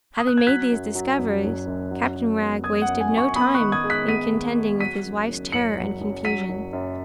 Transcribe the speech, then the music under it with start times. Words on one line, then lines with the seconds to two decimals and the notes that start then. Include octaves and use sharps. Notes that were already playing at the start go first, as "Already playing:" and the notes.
Having made these discoveries, Captain Wragge wasted no time in contending with his wife's terror and confusion.
0.18 D#6
0.27 F#6
0.37 G#6
0.47 F#3 F#6 B6
0.71 F#2
0.95 F#3
1.19 F#1
1.44 F#1
1.67 F#2
1.91 F#3
2.15 F#3
2.40 B3
2.64 F#2 D#6 G#6
2.82 F#5
2.88 F#2
3.01 G#5
3.12 F#2
3.18 G#5 C#6
3.36 B3 B5 D#6
3.54 C#6 F#6
3.60 D#3
3.72 D#6 G#6
3.84 G#3
3.90 F#6 B6
4.08 B3 B6 D#7
4.32 D#2
4.57 G#3
4.80 F#3 B6 D#7
5.05 F#2
5.29 F#1
5.52 F#1 C#7 F#7
5.77 F#3
6.01 F#1
6.25 F#3 B6 D#7
6.49 F#1
6.73 F#2